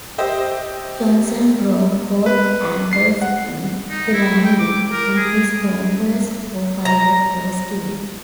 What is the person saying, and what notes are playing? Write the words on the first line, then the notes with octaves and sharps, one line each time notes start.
Johnson broke both ankles in the landing, and his bomber's co-pilot was killed.
G4 C5 D#5 E5
B4
C7
F#5
D#4
E4
G5
D6
A#4
G#4
A#5